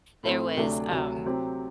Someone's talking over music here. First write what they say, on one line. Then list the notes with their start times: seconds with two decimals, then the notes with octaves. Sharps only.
there was, um,
0.23 A2 A3 C4
0.57 D2 C3 F#3 A3 D4
0.91 D2 C3 F#3
1.25 C3 F#3 C4 G4